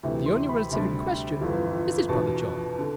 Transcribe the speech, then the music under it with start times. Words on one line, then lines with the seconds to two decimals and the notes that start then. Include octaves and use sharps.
But the only relative in question is his brother John.
0.03 D2 C3 E3
0.26 C6
0.49 B5
0.71 D2 C3 G3 D4
1.40 G1 F2 E3
2.08 E2 B2 B3 D4 A5
2.79 D3